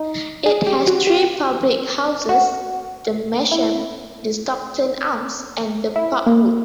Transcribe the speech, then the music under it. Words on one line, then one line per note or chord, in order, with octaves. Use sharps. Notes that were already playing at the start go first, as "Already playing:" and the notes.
It has three public houses "The Masham", "The Stockton Arms" and the "Parkwood".
Already playing: D#4
G#4
G4
F#4
G4
F#4
E4
E4
A#3